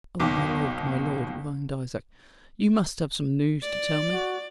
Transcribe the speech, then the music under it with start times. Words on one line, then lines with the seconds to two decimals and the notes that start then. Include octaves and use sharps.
"Oh, my lord, my lord," whined Isaac, "you must have some news to tell me."
0.20 F#1 D#2 B2 D#3 D6
3.63 D5
4.12 F#4